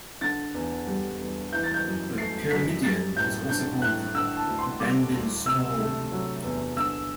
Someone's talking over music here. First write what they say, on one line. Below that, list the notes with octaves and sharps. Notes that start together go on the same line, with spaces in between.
The pyramidion is also called 'Benben stone'.
D3 A6
E2
G3
E2
E3 G6
A6
G6
F#2
A3 C7
F#2 B6
G3 A6
A2 G6
D4 G6
A2 F#6
D3 E6
A5
D2
C6
G3 D6
D2
C3 E6
A3
F#3
E2
D3 E6